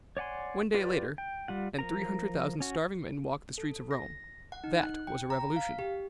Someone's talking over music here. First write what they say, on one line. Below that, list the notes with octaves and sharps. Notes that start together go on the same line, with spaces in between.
One day later, and three hundred thousand starving men walked the streets of Rome: that was a revolution.
C#5 D5 F#5 G#5 C6
F4 G4 B4 D5
G5
G3 F4 F#5
F3 A#4 A#5
C#4 F#4
A4
A#6
F#5
D#4
F#6
G5
A#5
F5
G4